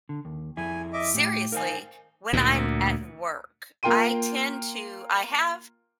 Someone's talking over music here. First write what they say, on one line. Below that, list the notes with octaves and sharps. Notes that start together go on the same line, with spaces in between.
seriously, when I'm at work. I tend to I have
D3
D#2
F2 E4 G#5
D#5 E5 D6
A2 G4
D#4 A#4 C5 F5 G#5
D2 A#2
A#3 F4 A#4 G5 C6 D#7